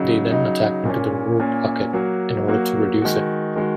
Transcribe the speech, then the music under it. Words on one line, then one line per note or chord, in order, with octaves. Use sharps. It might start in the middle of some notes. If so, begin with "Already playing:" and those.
They then attacked into the Ruhr Pocket, in order to reduce it.
Already playing: C#3 F#3 D#4
C#3 F#3 D#4
A#2 A#3 C#4
A#2 A#3 C#4
F#3 A#3 F#4
F#3 A#3 F#4
D#3 G#3 F#4
D#3 G#3 F#4